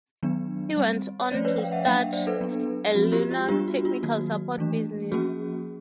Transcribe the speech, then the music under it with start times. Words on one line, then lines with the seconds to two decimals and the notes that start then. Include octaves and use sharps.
He went on to start a Linux technical support business.
0.23 D#3 F#3 B3 D4
0.76 G3 C4
1.19 C#5
1.31 F3 A3 C#4 C5 D5
1.45 B4 C#5
1.58 F5 G5
1.72 E5 F#5
1.85 F#3 A#3 D4 F5 G5
2.00 E5 F#5
2.12 C5 D5
2.27 A4 B4
2.41 F#3 B3 D4
2.94 F3 G#3 C4 F#4
3.12 F4 G4
3.31 F4 G4
3.48 G3 B3 D4 F4 G4
3.68 F#4
3.85 F4
4.03 D#3 F#3 A#3 F#4
4.58 E3 A3 D4
5.12 F3 A#3 C#4 F#4 G#4